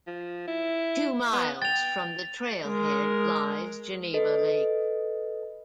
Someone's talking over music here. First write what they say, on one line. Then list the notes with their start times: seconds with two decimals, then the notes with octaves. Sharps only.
Two miles from the trailhead lies Geneva Lake.
0.07 F3
0.48 E4
1.33 B3
1.62 G5 A6 F7
2.67 G#3 A#4
4.14 A4 B4 D#5